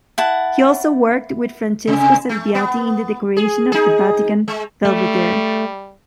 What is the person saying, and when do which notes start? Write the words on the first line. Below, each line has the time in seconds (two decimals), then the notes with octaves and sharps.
He also worked with Francesco Salviati in the decoration of the Vatican Belvedere.
0.18 E4 F#5 A5
1.87 C3
2.29 A3
2.55 B3
3.37 G#4
3.72 D#4 G#4
4.48 G#3
4.85 G3 A3